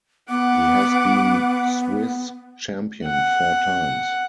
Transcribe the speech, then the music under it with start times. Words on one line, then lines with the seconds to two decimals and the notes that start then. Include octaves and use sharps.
He has been Swiss champion four times.
0.29 B3 F#5 D6
3.05 F#5